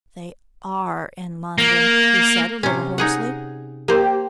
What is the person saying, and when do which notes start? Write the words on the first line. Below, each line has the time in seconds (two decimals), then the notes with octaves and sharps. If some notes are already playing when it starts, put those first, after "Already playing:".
"They are in London," he said a little hoarsely.
1.58 A#3
2.63 C3 C#4
2.98 D#4 G#4 F#5
3.88 A#3 G4 C5